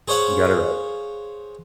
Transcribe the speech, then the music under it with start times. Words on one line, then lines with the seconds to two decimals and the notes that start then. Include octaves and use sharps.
you got it right,
0.08 G#4 C5 C#5 F5 F#5